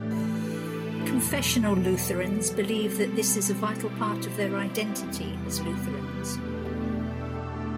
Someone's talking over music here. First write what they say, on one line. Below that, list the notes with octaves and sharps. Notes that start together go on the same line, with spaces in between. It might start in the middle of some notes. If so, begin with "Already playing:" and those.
Confessional Lutherans believe that this is a vital part of their identity as Lutherans.
Already playing: A2 E3 A3 D4 G4
G4 B4
A4
A4
E2 B2 F#3 A4
A4
B2 G3 C4 A4
A4
B2 G3 C4 E4 G4
E2 C3 G3 B3 A4
G4 B4
E2 B2 A3 D4 G4
A4